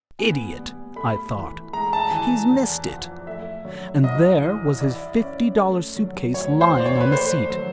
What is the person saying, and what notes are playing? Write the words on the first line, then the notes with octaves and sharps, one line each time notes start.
"Idiot," I thought, "he's missed it;" and there was his fifty-dollar suit case lying on the seat.
B3 G#5
G3
A3 B5
E3
G#3 A#5
A5
E3 G#5
E2
F3
A3 E5
F#3
C2 D#5
E3
E4 D5
C#4
A3
F#3
D2 C#5
C5
E3
D5
C#5
B4
A3 C5
F#3